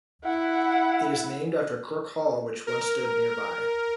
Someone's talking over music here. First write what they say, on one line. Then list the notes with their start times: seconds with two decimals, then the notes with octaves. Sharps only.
It is named after Crook Hall which once stood nearby.
0.24 E4 F#5
2.67 A#4